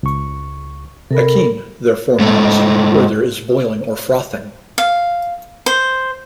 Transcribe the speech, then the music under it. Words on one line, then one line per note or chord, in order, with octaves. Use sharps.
Akean therefore means "where there is boiling or frothing".
C#2 C#6
C3 A4 A#4 B5
G#2 A3
F5
C5